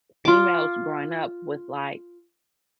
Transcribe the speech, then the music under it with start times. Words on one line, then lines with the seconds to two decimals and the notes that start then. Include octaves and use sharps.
females growing up with, like,
0.25 F4 D6